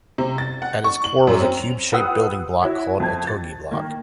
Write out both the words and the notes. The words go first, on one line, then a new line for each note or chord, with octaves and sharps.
At its core was a cube-shaped building block called a "Tog'l Block".
C3
A6
F#5
C#6
F#7
F#2
C4
F7
F4 G4 B4 F#5 D#6 E6
E4 F#4 C#5 E5
F2 C4 A5 G#6
A6
D#3 A#3